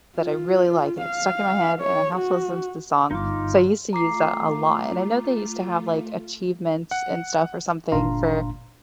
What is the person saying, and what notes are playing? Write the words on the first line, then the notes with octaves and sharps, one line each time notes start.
that I really like, and it's stuck in my head, and I have to listen to the song. So, I used to use that a lot, and I know they used to have, like, achievements and stuff or something for,
F4
F5
C#5
F#4
G1 D#4 F4 D6
A3 F4 A#5 D6 C7
F#5
G1 A#2 D4 F5 A#5 C6